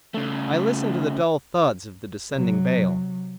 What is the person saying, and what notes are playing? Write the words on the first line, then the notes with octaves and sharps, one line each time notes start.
I listened to the dull thuds of the descending bale.
C#3 A3
C3 F#3